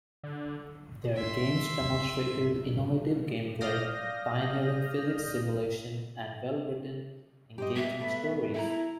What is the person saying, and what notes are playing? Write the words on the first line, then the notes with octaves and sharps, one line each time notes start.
Their games demonstrated innovative gameplay, pioneering physics simulation, and well-written, engaging stories.
D3
E5 C6
D5 F5 D#6 F6 G6 A#6
G4 C5 D#5
A#3 E5
A3 B3 B4
E4 E5 G5 A#5